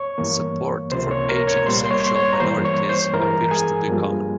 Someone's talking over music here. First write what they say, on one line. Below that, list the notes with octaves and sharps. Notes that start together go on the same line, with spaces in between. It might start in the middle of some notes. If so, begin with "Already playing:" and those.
Support for aging sexual minorities appears to be common.
Already playing: C#5 C#6
G2 E3 A#3
C#2 C3 F3 A#3 C5 C6
C#5 C#6
A#4 A#5
C#5 C#6
C2 A#2 G3 A#3 C5 C6
C6
C#5 C#6
C6
C#5 C#6
A#5
G2 E3 G3 A#3 C5 C6
C#5 C#6
C5 C6
G2 E3 G#3 A#4 A#5
G#4 G#5
G2 F3 A#3